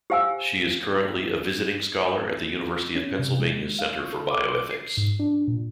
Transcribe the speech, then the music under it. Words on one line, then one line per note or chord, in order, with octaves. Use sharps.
She is currently a Visiting Scholar at the University of Pennsylvania Center for Bioethics.
G4 C5 F5 G#5 E6
C#4
C3
G#3
F5
C#6
A4
D6
C7
G#2
D4
A#2